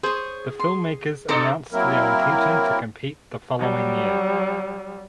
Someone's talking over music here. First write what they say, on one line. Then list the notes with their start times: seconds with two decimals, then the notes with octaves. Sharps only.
The filmmakers announced their intention to compete the following year.
0.03 G#4 C5 C#5
0.60 C6
1.28 G#2 D4 A4 C5 A#5 D6
1.73 F#3 A#3 C4 E4 A#4
3.59 F#3 G3